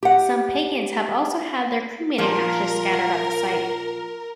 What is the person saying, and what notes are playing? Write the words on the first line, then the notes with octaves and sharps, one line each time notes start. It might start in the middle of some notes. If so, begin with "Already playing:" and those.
Some Pagans have also had their cremated ashes scattered at the site.
G4 F#5
A#2 F3 A#3 A#4